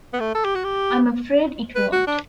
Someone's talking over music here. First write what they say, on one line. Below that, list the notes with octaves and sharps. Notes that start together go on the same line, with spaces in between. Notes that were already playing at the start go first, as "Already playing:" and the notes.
I'm afraid it won't.
B3
A3
A4
G4
F#4
G4
B4
F#4
D4